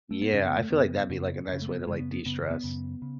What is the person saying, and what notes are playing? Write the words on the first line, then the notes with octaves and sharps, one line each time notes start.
Yeah, I feel like that'd be, like, a nice way to, like, de-stress.
A3
B3
F#2 C#3 C#4
B3
A3
F#2 C#3 B3
F#2 C#3
F#2 C#3 C#4
A3
B3
F#2 C#3 G#3
B3
B3
F#2 C#3 B3
B3
F#2 C#3
C#3